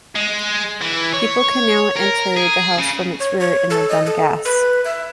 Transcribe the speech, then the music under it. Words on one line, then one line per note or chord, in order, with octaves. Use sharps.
People can now enter the house from its rear in the Domgasse.
G#3
E3
C#5
A#4
G#4
C#3
C#5
C#5
A4
D#5
A4
B4
E5